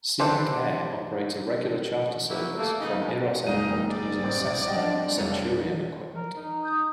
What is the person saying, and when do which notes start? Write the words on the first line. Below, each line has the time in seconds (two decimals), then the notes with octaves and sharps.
Scenic-Air operates a regular charter service from Eros Airport, using Cessna Centurion equipment.
0.20 C4 D4 G4 A4 B4
2.30 A#2 F#3 G3 E4 F#4 G4
2.57 A3 A#3
2.80 G#2 C#3 B3 D#4
3.00 G2 A#2 D3 G#3 B3 D4
3.47 F#1 G#3 A#3 D#4 D#7
3.89 D5
4.22 A1 C4
4.67 G3 C4 D4 D#5 F#5 G5
5.18 F1 C#5 F5
6.16 A#4
6.37 D#4
6.64 D#6 G6